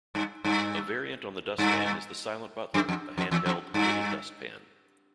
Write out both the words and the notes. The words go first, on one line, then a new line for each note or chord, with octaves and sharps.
A variant on the dustpan is the silent butler, a handheld, lidded dustpan.
G2
G2
G2
F#2
F2
F2
E2
F2
G2